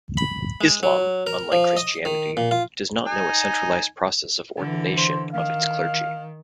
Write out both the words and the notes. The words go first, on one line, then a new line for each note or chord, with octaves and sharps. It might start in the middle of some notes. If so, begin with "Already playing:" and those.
Islam, unlike Christianity, does not know a centralised process of ordination of its clergy.
B5
G#3
F#3
A#4
F3
D#5
D#3
A#2
F4
D#4 G#5
D3 E3
C5
D#3 F5